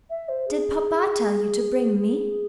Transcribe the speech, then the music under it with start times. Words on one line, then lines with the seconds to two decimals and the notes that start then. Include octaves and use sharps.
"Did papa tell you to bring me?"
0.10 E5
0.29 C5
0.48 G#4
1.98 G#4